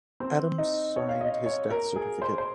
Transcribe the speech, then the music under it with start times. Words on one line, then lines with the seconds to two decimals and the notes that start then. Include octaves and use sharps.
Adams signed his death certificate.
0.20 C4
0.58 D#4
0.96 C#5
1.09 F5
1.21 D#5
1.46 C#5
1.71 A#4
1.96 G#4
2.22 C5
2.38 C5